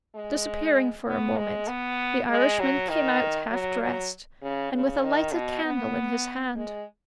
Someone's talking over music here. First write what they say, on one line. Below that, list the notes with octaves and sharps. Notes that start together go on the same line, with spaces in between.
Disappearing for a moment, the Irishman came out half dressed and with a lighted candle in his hand.
G#3
B3
G#3
B3
G#3
F#3
D#3
F#3
F#3
C#3
C#3
D#3
B2
B3
G#3